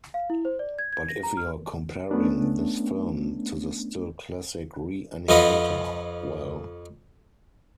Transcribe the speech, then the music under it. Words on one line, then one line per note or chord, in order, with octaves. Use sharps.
But if you're comparing this film to the still classic "Re-Animator", well...
F5
E4
C5
D5
G#6
G#6
A#6
A#5
F6
A3 B3 C#4 D4
F2 F3 F4 B4 D#5 F#5